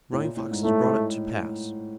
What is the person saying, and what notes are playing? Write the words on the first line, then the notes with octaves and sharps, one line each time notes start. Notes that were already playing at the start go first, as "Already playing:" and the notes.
Running Fox has brought it to pass.
A2
A#2
A2
G#2
A2 A3